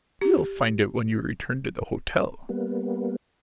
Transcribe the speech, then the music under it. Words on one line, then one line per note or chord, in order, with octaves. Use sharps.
You will find it when you return to the hotel.
G4
G3 A#3 B3